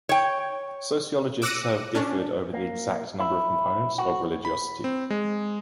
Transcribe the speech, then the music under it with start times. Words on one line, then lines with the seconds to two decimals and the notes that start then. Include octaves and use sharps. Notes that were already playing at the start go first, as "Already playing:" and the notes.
Sociologists have differed over the exact number of components of religiosity.
0.09 C#5 G5
1.42 D6 E6 F#6 A#6 C#7 D#7
1.95 C#4 D4
2.53 A#3
3.19 E4
3.98 F#4
4.45 B5
4.84 C4
5.10 G#3